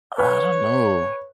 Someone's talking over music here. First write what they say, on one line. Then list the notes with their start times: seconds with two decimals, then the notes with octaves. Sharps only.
I don't know.
0.18 B4 C#5